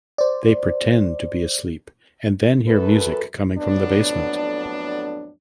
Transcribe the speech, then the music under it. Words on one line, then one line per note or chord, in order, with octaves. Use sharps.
They pretend to be asleep and then hear music coming from the basement.
C5 D5
F#2 A4 B4
F2 A2 F#3 B3 D4